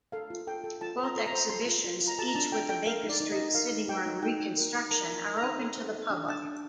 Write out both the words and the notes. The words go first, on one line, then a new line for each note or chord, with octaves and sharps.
Both exhibitions, each with a Baker Street sitting-room reconstruction, are open to the public.
A4 F5
F4
A4 G5
A4
F4 A5
C5 A#5
A4
A#5
C5
A4 C6
F4
F4
F4
A#5
A4 A5
A#5
D4 A5
D4 G5
A4 G5
A#4 F5
D#4
D5
D#4
D#5
D#4
A#4 F5
D#4
D#4 G5
D#4
D#4 G5
D#4
A#4
D#4
A#4 A#5
A#4 A5
A#4
A#5
D#4
A4
C5
A4
D4
D4 A5
D4